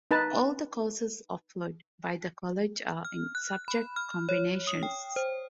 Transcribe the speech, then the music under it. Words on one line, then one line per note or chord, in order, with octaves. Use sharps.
All the courses offered by the College are in subject combinations.
D#4 B4 A5
F6
F#6
B5
F6
C#5
D#6
G5
C5